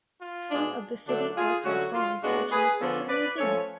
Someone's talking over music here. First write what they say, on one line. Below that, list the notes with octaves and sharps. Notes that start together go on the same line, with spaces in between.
Some of the city archive fonds were transferred to the museum.
F4
B2 G#3 D4
D3 F#3 A3 D4
F4 G#4
D3 F#3 A3 C#4 F#4
F4
A2 G#3 B3 D4 F#4
G#4 B4
D3 F3 B3 D4 A4 C#5
B4 D5
F3 A3 C#4 A4 C#5